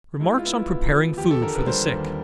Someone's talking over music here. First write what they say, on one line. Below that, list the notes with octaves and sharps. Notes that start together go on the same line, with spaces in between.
Remarks on Preparing Food for the Sick.
G#3 E4
F4
B3 E4
B3
F3
D#2 G4
A4
D3 A#4
B4
G3 C5
D#2